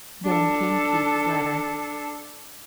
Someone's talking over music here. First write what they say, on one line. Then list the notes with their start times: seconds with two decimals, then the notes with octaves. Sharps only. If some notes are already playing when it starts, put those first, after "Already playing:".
Then came Keith's letter.
0.25 D4 A4